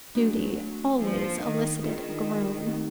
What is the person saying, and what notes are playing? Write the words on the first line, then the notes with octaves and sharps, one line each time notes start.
"Duty" always elicited a groan.
F#3 A3 D4 F#4
F3 A#3 D4 F#4
D#3
D#3 D4 F4 G#4 B4 D5
A3 C4 D#4 G4